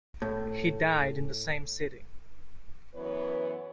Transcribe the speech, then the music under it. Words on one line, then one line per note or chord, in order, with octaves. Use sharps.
He died in the same city.
A2
F#2 E3 B3 B4 C#5